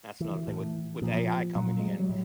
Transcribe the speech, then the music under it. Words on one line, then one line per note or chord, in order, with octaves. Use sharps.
That's another thing with with AI coming in,
E3
A2
A#2 F3
A#2 F#3
G#3
G3
F#3
A2